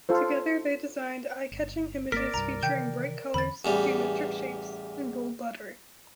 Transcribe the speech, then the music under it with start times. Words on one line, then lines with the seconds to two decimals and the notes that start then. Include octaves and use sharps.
Together they designed eye-catching images featuring bright colours, geometric shapes, and bold lettering.
0.09 F4 A4 C5
1.52 G1
2.12 G#1 A#3 A#4 D5 B6
2.34 C2 G2 A#5
2.63 C3 D#3 E3 G5 G6
3.34 E2 D3 E3 B5 A6
3.65 A1 E2 G3